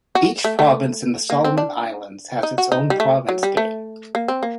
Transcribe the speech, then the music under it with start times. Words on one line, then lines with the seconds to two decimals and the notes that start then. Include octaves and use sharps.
Each province in the Solomon Islands has its own Province Day.
0.15 F#4
0.44 A3
0.59 A3
1.30 A#3
1.44 C4
1.58 D4
2.43 D#4
2.58 F#4
2.72 D#4
2.90 G3
3.00 A3
3.29 F#3
3.43 G3
3.57 A3
4.15 A#3
4.28 C4
4.43 A#3